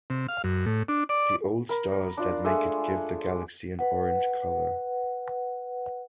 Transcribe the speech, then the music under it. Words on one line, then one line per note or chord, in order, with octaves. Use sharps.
The old stars that make it give the galaxy an orange color.
C3
F5
F#2
A2
D4
D5
A#4 B5
D4 F4 D5
G#3 A3 D4 A4
B4 F#5